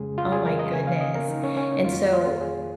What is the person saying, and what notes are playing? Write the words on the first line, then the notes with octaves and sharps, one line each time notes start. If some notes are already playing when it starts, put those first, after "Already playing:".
oh my goodness, and so
Already playing: F2 C#3 G#3 C#4 G#4
F4
G#4
A#4
D#5
C#3 A#3 C#4 G#5
F5
D#5
A#4
D#4
C#4
C#4
D#4
F2 D#3 A#3 F4
F4
G#4